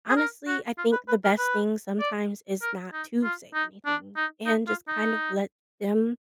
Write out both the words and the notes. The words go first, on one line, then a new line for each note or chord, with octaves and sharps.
honestly, I think the best thing sometimes is not to say anything and just kind of let them
G#4
A#4
F#4
F4
B4
B4
A#4
B4
D5
A#4
D#4
F4
D#4
D4
D#4
D#4
F4
D#4